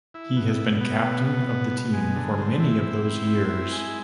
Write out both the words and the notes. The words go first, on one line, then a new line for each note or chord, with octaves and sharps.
He has been captain of the team for many of those years.
E4
B2
B2
B3
B2
B3
B2
B2
G#3
D3
C4
E4
C4
E4
C4
E4
G#3